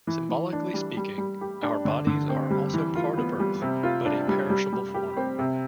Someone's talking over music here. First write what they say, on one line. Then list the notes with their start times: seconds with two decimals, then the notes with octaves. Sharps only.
Symbolically speaking, our bodies are also part of earth, but a perishable form.
0.07 E3
0.29 E3
0.53 D4
0.74 G3
0.97 G3
1.18 G3
1.41 G4
1.62 D4
1.85 D3
2.07 D3
2.29 C4
2.50 G3
2.74 E3
2.95 F4
3.17 B3
3.40 G3
3.62 C3
3.83 F4
4.05 D4
4.28 G3
4.50 G3
4.73 G3
4.94 G4
5.17 C4
5.39 C3